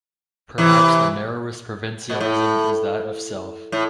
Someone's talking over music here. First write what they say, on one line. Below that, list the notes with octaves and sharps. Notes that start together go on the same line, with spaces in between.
Perhaps the narrowest provincialism is that of self.
C3 E3
B2
A2
A2